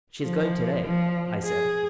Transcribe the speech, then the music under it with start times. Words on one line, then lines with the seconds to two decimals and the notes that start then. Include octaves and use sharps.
"She's going to-day!" I said.
0.23 F3
0.84 F3
1.45 G#4